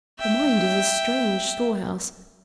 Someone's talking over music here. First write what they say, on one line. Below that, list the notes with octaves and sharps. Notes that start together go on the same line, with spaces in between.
The mind is a strange storehouse.
E5 G5